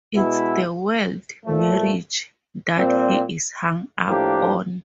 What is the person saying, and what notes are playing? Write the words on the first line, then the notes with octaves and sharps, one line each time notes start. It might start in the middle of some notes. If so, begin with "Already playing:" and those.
It's the word 'marriage' that he is hung up on.
B2 G#3 B3 E4
A#2 F3 A3
A#2 G3 C4
A2 F3 A#3 D4 G4